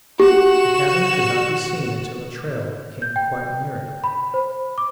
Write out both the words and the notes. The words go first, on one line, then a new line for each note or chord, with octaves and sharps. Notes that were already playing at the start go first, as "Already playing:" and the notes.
The cabin could not be seen until the trail came quite near it.
F#4 G4 E7
G6
G5
B5
C5
D6